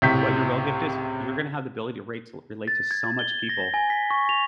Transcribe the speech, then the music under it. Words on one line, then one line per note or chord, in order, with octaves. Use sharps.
What your real gift is, you're gonna have the ability to ratel relate to so much people
C#2 A2 C3 G6 B6
A6
G#6
G7
A#6
G#5
B6
C#6
F7